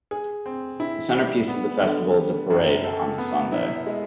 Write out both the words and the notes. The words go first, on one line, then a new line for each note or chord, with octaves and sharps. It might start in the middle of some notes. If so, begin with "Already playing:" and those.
The centrepiece of the festival is a parade on the Sunday.
G#4
C4
E4
G3
B3
D3
G3
F#2
A4
B3
E4
G#3